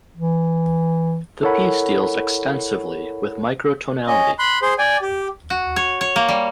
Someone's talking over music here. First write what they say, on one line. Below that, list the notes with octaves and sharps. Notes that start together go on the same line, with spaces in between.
The piece deals extensively with microtonality.
E3
E4 A4 A#4 C#5 F#5 B5
C#4 D#5
B5 C6 F#6
G#4 C5 C6
D5 G5 G#5
G4
F#4
C#5
C#5
A#3
G3